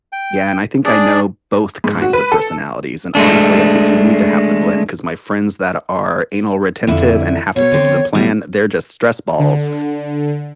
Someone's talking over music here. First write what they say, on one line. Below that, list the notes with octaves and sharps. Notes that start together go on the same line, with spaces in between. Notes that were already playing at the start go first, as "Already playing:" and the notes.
Yeah, and I think I know both kinds of personalities. And honestly, I think you need to have the blend, 'cause my friends that are anal-retentive and have to stick to the plan, they're just stress balls.
G5
D4 G#4 D5
G#2
F#4
B4
A4
G#3 A3 D4
F2 D3 E4
B2 C#5
D3 C4
B2 G3
D3